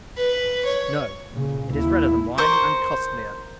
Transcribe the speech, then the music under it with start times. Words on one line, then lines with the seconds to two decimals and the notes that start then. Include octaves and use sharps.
No! It is redder than wine, and costlier.
0.17 B4
0.65 C#5
1.33 A#2 C#3
1.70 D#2 E4
2.38 A#4 C5 C#6